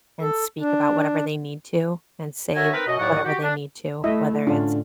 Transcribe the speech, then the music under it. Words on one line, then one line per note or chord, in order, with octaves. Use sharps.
and speak about whatever they need to and say whatever they need to, whether it's,
A4
D4
F#4 A#4 C#5 E5 G#5 A#5
C4 D#4 A#4 B4
F#2 B2 F#4 D#5
D#2 A2 F#3 D5 F#5 C#6
F#4 G4
D4
A3 E4 D#5 E5
A2 D3 C#4 D4 F4